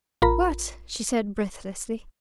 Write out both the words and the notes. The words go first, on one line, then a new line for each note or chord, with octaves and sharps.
"What?" she said breathlessly.
A1 F4 A#4 A#5 B5